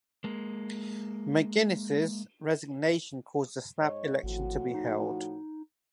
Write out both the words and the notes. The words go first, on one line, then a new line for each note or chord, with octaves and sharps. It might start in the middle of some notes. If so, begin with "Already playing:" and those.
McGuinness's resignation caused a snap election to be held.
G#3 A#3
G#2 C#5 D#5
G#1 A2 F3 F#4
D#4